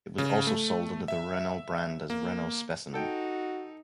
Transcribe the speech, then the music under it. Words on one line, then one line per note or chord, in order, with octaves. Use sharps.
It was also sold under the Renault brand as Renault Specimen.
C#3
A3
E5
A#3
D#4 F#4 A4 G5